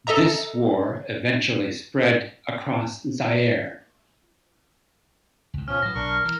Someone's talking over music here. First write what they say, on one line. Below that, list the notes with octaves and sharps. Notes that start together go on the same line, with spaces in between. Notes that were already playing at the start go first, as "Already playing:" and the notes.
This war eventually spread across Zaire.
A4 D#5 E5 A#5
C#2 G#2
B2 F3 C#4 F6
A2 F#3 B3 A#6
B1 D4 A#4 C#6
E3 A#4